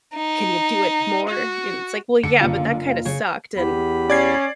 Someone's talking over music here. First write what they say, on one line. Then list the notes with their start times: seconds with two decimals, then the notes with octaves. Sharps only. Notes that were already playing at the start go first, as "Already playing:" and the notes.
"Can you do it more?" And it's like, "Well, yeah, but that kinda sucked, and
0.16 D#4
1.29 F#4
2.23 D3 C#7
2.41 F#1 F4
3.05 C#3 C#5
3.57 E2 G4 B5
4.10 C#4 D5 G#6 C7